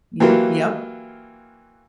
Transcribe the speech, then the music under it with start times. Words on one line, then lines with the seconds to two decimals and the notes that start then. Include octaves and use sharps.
Y yep.
0.20 E3 F#3 G3 A#3 F4